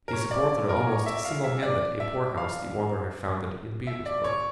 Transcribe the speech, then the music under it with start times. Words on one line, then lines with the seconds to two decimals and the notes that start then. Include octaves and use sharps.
He supported almost singlehanded a poorhouse the order had founded in Petersburg.
0.08 A#4
0.13 C#5
0.31 D5
0.69 A#4
0.87 C#5
1.06 E5
1.17 E5
1.25 F5
1.44 E5
1.63 D5
2.00 E5
2.37 F5
3.87 E5
4.06 D5
4.24 C#5